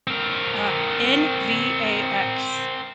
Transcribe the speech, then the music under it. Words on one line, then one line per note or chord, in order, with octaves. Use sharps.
Uh, N-V-A-X.
C4 A#4